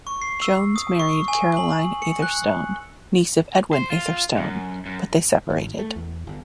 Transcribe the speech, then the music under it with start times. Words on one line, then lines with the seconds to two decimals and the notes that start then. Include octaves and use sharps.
Jones married Caroline Atherstone, niece of Edwin Atherstone, but they separated.
0.07 C#6
0.22 C7
0.42 E6
0.76 D#6
1.00 C#6
1.28 G#5
1.57 F#7
2.02 C#7
2.22 F#6
3.73 C5
3.90 F4
4.37 F#2
4.86 F#2
5.50 G#1
5.78 A3
5.96 E2
6.27 G1